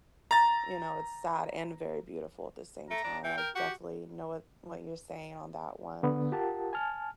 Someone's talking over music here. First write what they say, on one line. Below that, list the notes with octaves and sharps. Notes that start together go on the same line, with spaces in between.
you know, it's sad and very beautiful at the same time. I definitely know what what you're saying on that one,
A#5 A6
A3 A#5
D4
E3 G5
A#4
F#4 G4
D3 B3
F4 G4 A#4 F#5 A5
G#5 A5 F6